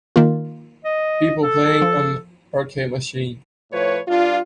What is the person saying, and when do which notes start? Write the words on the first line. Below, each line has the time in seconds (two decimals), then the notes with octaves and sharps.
People playing an arcade machine.
0.16 D#3 A#3 F4
0.85 D#5
1.43 A4
1.82 F3
3.71 A2 F3 B4 C#5
4.08 G2 D4 F4